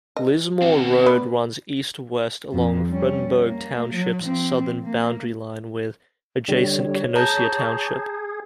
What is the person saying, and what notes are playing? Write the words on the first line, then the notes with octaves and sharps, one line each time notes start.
Lismore Road runs east-west along Fredenberg Township's southern boundary line with adjacent Canosia Township.
D#5
C4 F#4
B3 B4 D5
F2
G3 C#4
A#3
F#3
F3 C4
A#3
D3 G3 C#5
G#4 A5 A#5 G6